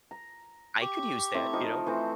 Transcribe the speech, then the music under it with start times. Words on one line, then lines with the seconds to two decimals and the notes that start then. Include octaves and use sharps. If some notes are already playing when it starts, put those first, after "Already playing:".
"I could use that," you know.
0.11 A#5
0.81 G4 C#6
1.34 A3 C4 E4
1.53 F3 D#4
1.86 E3 A3 C4 C5